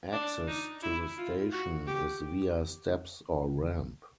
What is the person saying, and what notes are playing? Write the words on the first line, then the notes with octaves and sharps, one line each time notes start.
Access to the station is via steps or ramp.
D4
D#4
E4
F4
F#4
G4